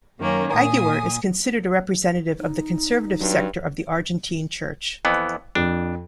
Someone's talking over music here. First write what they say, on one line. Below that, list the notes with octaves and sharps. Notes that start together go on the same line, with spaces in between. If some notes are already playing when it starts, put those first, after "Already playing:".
Aguer is considered a representative of the conservative sector of the Argentine Church.
F#2 D#3 A#3 C#4
A#2 G#5 D#6
D#4
G2 F#3 D4
F2 E3 B3
F2 D4